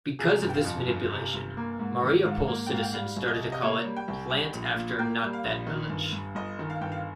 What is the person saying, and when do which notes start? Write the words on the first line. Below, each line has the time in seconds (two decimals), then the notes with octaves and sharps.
Because of this manipulation, Mariupol citizens started to call it "Plant after not-that-Illich".
0.19 C3 G#4
0.42 G1
0.49 G5
0.54 F5
0.65 F2
0.88 G1
1.10 C3
1.34 G1
1.57 A#3
1.79 G#2
2.02 D#3
2.25 G#2 F5
2.48 A#3
2.66 G5
2.71 G#2 F5
2.83 G5
2.93 G3 F5
3.16 C2
3.28 D#5
3.39 C3
3.52 D#5
3.62 A#3 C#5
3.84 G3
3.97 G5
4.08 C2
4.30 G3 G5
4.53 A#1
4.65 F5
4.76 A#2
4.99 A#3 G5
5.22 G3
5.33 F5
5.44 A#1
5.67 D#3
5.89 G1
6.13 G2
6.35 G1 D#5
6.59 D#3
6.70 F5
6.81 G1 G5
6.92 F5